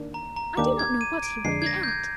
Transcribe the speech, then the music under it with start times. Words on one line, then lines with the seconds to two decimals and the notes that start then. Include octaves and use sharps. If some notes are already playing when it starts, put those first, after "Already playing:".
I do not know what he would be at.
Already playing: D#3 A#3 D4
0.14 A#5
0.36 A#5
0.57 D#2 D#3 A#3 D4 G4 D6
0.79 G#6
1.01 D#7
1.23 D7
1.44 F2 D3 G#3 D4 C7
1.62 G#6
1.66 A#6
1.83 G6
1.88 G#6